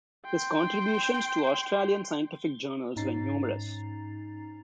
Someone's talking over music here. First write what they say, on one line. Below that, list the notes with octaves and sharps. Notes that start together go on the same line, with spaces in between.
His contributions to Australian scientific journals were numerous.
G5 C6
G#2 C#4 D#4 A#5 A6 C7